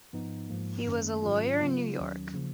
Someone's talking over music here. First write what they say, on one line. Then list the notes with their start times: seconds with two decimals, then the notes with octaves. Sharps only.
He was a lawyer in New York.
0.13 G#2 F3 B3 D#4
0.50 G#2 F3 A#3
0.86 F#2 D#3 A#3 C#4
1.23 G#2 D#3 F#3 C#4 F4
1.59 C#3 F#3 B3 F4
1.97 D#2 D#3 F#3 C#4
2.34 C#3 F3 A#3